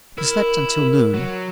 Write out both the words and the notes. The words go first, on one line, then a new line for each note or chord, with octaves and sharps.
He slept until noon.
E4 A#4
F#3